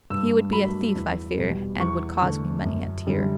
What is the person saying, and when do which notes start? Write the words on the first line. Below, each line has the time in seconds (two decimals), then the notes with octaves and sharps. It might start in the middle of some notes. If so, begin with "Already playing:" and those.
He would be a thief, I fear, And would cause me many a tear.
0.10 G2 E6
0.53 F#3 A3 B5
0.95 E2
1.37 B2 G3
1.80 E2 C#6
2.22 D3 A3
2.64 F#2
3.07 D3 G3